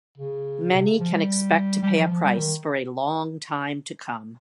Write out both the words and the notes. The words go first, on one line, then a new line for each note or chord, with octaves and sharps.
Many can expect to pay a price for a long time to come.
C#3
C3
C#3
F3
G3
G3
F3
F3
G3
D#3